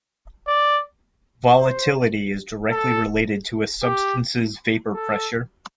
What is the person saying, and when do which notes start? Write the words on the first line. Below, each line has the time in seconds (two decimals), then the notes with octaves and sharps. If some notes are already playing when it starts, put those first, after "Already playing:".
Volatility is directly related to a substance's vapor pressure.
0.48 D5
1.59 C5
2.71 A4
3.83 G4
4.94 A4